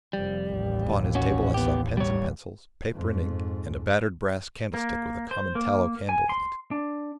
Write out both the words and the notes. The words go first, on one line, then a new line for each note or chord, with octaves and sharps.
Upon his table I saw pens and pencils, paper and ink, and a battered brass candlestick with a common tallow candle in it.
F1 F3 G3
A1 D#2
C#4 F#4
B3 G4
G3 C#5
F2 G#2
A#3
C5
A#3
G#5
C6
D4